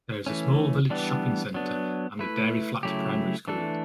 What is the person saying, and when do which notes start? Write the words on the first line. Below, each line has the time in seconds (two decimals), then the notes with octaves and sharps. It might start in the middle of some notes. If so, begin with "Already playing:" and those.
There is a small village shopping centre and the Dairy Flat Primary School.
0.26 E3 A3 C#4
0.90 E3 G3 B3 D4
1.54 F#3 B3 D4
2.19 A3 E4 B4
2.83 C#3 F#3 A3 E4 G4
3.48 E3 A3 D4 A4